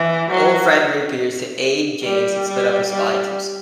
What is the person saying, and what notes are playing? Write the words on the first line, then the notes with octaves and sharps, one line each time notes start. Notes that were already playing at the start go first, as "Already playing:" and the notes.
An old friend reappears to aid James and split up this spy twosome.
Already playing: E3
F#3
G3
G3
G3